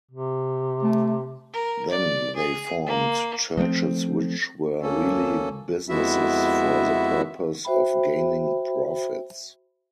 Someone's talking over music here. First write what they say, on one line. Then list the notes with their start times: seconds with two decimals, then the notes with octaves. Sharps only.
Then they formed churches which were really businesses for the purpose of gaining profits.
0.11 C3
0.83 A3
1.53 A#4
1.90 D5
2.36 G#4
2.86 A#3
3.57 F3 A3 A#3 C4
4.82 D2 A#3 C#4 A4
5.89 F2 G#3 B3 E4 F#4 E5
7.65 F#4 C5 E5 G5 B5